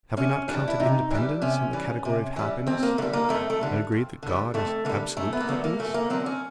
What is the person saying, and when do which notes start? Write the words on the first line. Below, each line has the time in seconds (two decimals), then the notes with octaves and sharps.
Have we not counted independence in the category of happiness, and agreed that God is absolute happiness?'
0.17 C3 C#4
0.48 E3 G3 D4
0.68 E4
0.80 C3 D#4
1.10 E3 G3 D4
1.42 C3 C#4
1.73 E3 G3
2.05 C3
2.36 E3 G3
2.66 F2 C4
2.83 A#3
2.98 D3 A3
3.02 G3
3.13 A#3
3.29 F2 A3
3.50 A3
3.61 D3 G3
3.92 F2
4.23 D3 G3
4.54 F2 A3
4.85 D3 A#3
4.89 G3
5.17 F#2 A3
5.33 B3
5.40 A#3
5.48 D3 F#3 A3
5.64 A#3
5.79 F#2 A3
5.94 A#3
6.10 D3 F#3 C4
6.26 C#4